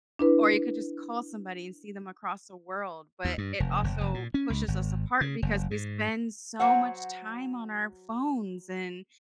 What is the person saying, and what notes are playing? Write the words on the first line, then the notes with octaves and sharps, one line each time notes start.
or you could just call somebody, and see them across the world, but it also pushes us apart, because we spend so much time on our phones, and
D4 E4 B4
D#2
G2
F1
F1
F1
A#2
C#4
C#2
G#1
C#3
F#1
G#2
F#3 C5 C#5 F#5